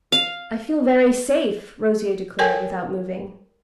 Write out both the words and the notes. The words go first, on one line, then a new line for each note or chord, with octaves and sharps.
"I feel very safe!" Rosier declared without moving.
F5
A4 A#4 C#5 G5 G#5